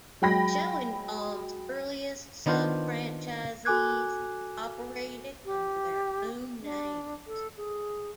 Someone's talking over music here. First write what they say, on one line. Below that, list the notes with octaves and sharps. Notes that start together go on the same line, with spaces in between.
Schoenbaum's earliest subfranchisees operated under their own names.
F#3 G#3 G5 B5 A#6
D#3 B3 D4 F4 C5
F#4 A4 G#5 D6 F#6 G#6
G4
D4
A4
G#4